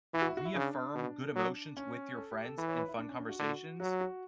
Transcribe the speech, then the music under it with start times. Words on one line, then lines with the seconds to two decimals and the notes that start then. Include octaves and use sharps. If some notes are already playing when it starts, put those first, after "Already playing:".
reaffirm good emotions with your friends in fun conversations,
0.14 E3 E4
0.22 F#4
0.30 E4
0.37 F#4
0.45 E4
0.54 C#3 D4
0.95 B2
1.36 F#3
1.77 C#4
2.17 A4
2.31 G4
2.45 A4
2.58 E3 B4
2.68 C#5
2.79 B4
2.88 E4
2.98 D4
3.09 C#4
3.19 D4
3.29 F#4
3.39 D3
3.80 F#3 F#4
4.01 F#4